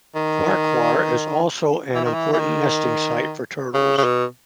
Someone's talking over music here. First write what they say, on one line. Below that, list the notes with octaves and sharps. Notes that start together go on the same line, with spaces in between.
Farquhar is also an important nesting site for turtles.
D#3
E3
D#3
E3
E3
D#3
C#3
C#3
B2